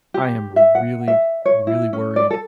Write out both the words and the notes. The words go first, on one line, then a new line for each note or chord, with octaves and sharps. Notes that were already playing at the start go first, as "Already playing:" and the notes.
I am really, really worried
G4
E5
F#5
E5
C#5
E4
C#4
D5
A4